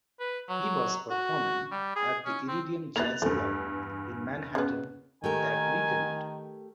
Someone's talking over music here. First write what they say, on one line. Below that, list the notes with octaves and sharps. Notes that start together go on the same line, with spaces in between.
He was performing at the Iridium jazz club in Manhattan that weekend.
B4
F#3
F#4
G3
G#4
C#4
C4
A#3 B3 E4 F#6 A6 F7
E2 G2 A3
C#3 B3
D#3 A3 G4 A#4 G#5